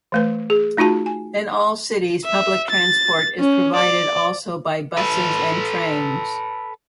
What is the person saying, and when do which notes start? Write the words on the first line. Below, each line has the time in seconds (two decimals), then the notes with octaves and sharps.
In all cities public transport is provided also by buses and trains.
0.12 E3 A3 B4
0.50 G#4
0.77 A3 D#4 F4 F#4 A5
1.06 G#5
2.25 E5
2.70 A6
3.39 C#4
3.76 D5
4.97 A4 B4